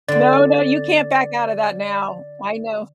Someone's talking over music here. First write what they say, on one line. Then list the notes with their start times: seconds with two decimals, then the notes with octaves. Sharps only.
No, no, you can't back out of that now. I know f
0.08 D3 C4 D5